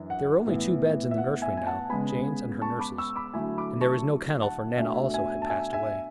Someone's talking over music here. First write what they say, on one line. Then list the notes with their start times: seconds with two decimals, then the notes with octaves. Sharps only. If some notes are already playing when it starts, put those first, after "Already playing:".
There were only two beds in the nursery now, Jane's and her nurse's; and there was no kennel, for Nana also had passed away.
Already playing: F#2 E3 D4
0.10 F#5
0.46 A2 E3 B3
1.11 E5
1.18 F#5
1.42 E5 G#5
1.57 G#5
1.67 F#5 A5
1.90 C#3 G#3 B3 G#5 B5
2.62 A5 C#6
2.79 B5 D6
2.98 C#6 E6
3.16 B5 D6
3.33 D3 F#3 A3 E4 G#5 B5
3.58 B5 D6
3.81 A5 C#6
4.42 F#5 A5
4.77 B2 A3 D4 E5 G#5
5.14 E5 G#5
5.42 A5
5.49 E5 G#5
5.73 E5 G#5